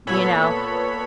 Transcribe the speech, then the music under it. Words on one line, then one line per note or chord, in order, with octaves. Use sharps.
You know?
A#2 B3 A4 C#5 B5